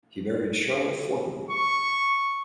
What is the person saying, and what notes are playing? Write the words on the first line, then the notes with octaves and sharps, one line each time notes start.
He married Charlotte Forten.
C#6